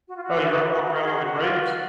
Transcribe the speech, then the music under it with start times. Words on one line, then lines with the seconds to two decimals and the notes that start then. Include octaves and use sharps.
Oh, you're out walk around all the graves?
0.08 F#4
0.17 F4
0.23 F#4
0.85 F#4
0.94 A#4
1.03 G#4
1.12 F#4
1.23 F#4
1.41 F4
1.60 F#4